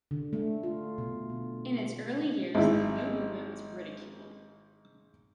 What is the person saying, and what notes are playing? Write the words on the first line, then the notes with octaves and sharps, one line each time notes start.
In its early years the new movement was ridiculed.
D3
A3
F4
B2
B3
G#1 E4